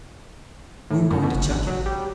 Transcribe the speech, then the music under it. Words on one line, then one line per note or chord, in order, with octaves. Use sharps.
We're going to chuck it.
A2
F#2
B2
G1
A1
F#3
G3